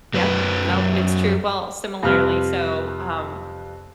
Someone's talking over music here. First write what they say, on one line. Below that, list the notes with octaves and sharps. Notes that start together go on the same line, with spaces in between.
Yep, nope, it's true, well, similarly, so, um,
F#2 F#3 B4
F2 C3 G3 B4 F6